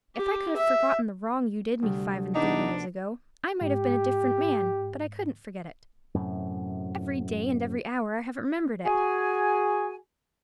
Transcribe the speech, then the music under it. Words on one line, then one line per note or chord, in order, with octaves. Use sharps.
If I could have forgotten the wrong you did me five-and-thirty years ago, I might have been a different man: but I couldn't forget it. Every day and every hour I have remembered it.
G4
E5
D2 C3 G3
E2 B3 D4 D#4 F#5 D6 G6
G#2 G4
F#2 A2 C3
F#4 G#4 G#5